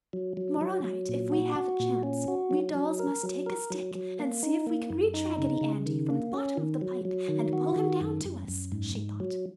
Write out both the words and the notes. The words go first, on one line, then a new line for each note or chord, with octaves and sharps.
"Tomorrow night if we have a chance, we dolls must take a stick and see if we can reach Raggedy Andy from the bottom of the pipe and pull him down to us!" she thought.
F#3
F#3
F#3
F#3
A#2
F#4
F#4
A#2
C#4
F#4
F#3
F#3
A#4
F#3
A#4
F#3
F#3
A#3
D#4
A#3
F#2
D#4
C#3
C#3
D#3
A#3
C#4
D#3
F#3
F#3
D#3
F#4
D#3
F#2
F#2
F#2
G#2
G#2
F#3